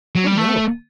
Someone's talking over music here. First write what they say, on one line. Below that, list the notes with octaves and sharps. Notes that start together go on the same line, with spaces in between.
"Oh no."
F#3
G3
A3